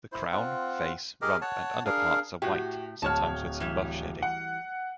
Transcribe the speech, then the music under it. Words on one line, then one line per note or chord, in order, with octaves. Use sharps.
The crown, face, rump and underparts are white, sometimes with some buff shading.
E4 C5
C4 F4 F#5
G4 G#4 A#4 D#5
C#5 F#5 A5
D4 G#4 A#4 F5
A2 F#4 G4
D1 C#5 A5 F6
E3 G3
F#5